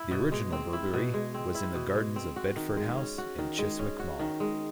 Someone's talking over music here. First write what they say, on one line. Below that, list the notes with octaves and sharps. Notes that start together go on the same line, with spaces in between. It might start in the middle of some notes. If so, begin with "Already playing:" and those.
The original brewery was in the gardens of Bedford House in Chiswick Mall.
Already playing: E4
B2
G#3
C4
E4
B2
G#3
C4
E4
B2
G#3
C4
F#4
D#3
G#3
C#4
F#4
D#3
G#3
C#4
F#4
D#3
G#3